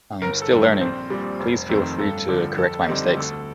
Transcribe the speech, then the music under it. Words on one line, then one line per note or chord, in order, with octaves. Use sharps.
I'm still learning; please feel free to correct my mistakes.
G1 A#4
A4
G2 D#3
A#4
A#1 C4 C5
A#2 G3
F1
F2 D#3 A3 C4
G2 A4
D3 F3
F2 A4
D3 G3 C4 D#4
D2 A4